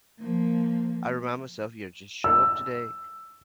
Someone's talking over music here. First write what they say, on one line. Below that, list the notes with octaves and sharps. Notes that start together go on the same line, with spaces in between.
I remind myself, you know, "Just show up today,"
F3 A#3
E6